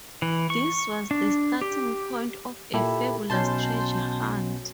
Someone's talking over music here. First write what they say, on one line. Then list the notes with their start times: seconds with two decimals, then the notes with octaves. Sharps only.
This was the starting point of a fabulous treasure hunt.
0.22 E3
0.50 C#6
1.11 D4
1.61 G4
2.74 A#2 E4 G4 A4
3.30 B1 B2 C#4 A5 C6 G6